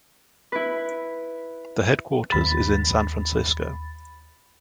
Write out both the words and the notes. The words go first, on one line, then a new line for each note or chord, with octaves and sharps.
The headquarters is in San Francisco.
E4 B4
D#2 B5 A6